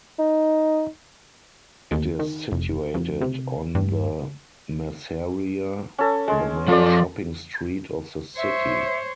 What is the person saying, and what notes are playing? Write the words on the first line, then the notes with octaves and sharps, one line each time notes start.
It is situated on the Merceria, the main shopping street of the city.
D#4
D#2
D#3
F1
F2
C3
G2
C#4 A4
G#3
F3 F4 A4 D5
C5 C#5 E5